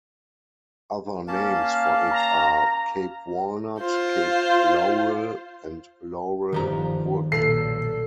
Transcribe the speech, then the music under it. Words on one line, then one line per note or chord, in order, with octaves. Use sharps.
Other names for it are Cape Walnut, Cape laurel, and laurel wood.
A#3 C#4 F5 A5
A#5
F4 C5
G1 D#3 F3 G4 A#5
B1 G2 A#2 A4 C7